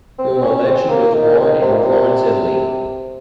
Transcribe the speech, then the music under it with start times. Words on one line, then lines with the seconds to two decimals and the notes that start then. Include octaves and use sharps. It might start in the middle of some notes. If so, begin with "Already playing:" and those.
Brunelleschi was born in Florence, Italy.
0.18 C4
0.42 C#4
0.66 C4
0.89 A#3
1.14 D#3
1.33 C#3
1.38 D#3
1.62 C3
1.73 A#2
1.83 C3